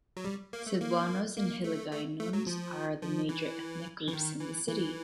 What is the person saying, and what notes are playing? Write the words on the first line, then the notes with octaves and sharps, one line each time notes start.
Cebuanos and Hiligaynons are the major ethnic groups in the city.
F#3
G3
A#3
A3
A#3
A#3
A3
A3
A3
F#3
F3
F3
E3
E3
D#3
E3
E3